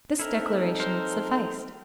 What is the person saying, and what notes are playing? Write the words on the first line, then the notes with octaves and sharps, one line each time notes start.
This declaration sufficed.
C4 D#4 E4 A4 A#4
A#4 C5